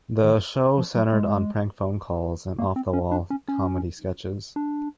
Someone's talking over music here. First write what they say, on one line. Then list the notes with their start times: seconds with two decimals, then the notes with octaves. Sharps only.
The show centered on prank phone calls and off-the-wall comedy sketches.
0.24 D#3
0.78 F3
0.96 F#3
1.13 G#3
2.58 A#3
2.76 C4
2.93 C#4
3.12 D4
3.30 C#4
3.48 C#4
4.56 D4